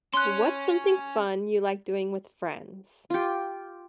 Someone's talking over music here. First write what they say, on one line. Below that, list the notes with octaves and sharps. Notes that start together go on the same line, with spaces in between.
What's something fun you like doing with friends?
C#4 C6 F#6
F4 G4